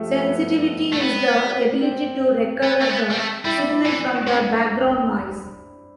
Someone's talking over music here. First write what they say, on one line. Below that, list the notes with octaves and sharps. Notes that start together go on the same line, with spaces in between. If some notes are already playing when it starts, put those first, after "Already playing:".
Sensitivity is the ability to recover the signal from the background noise.
Already playing: F3 G3 A3
B3
A3
B3 C4
C4
B3
A3
B3
G3
A3
G3 E4
D4
E4
E3
C3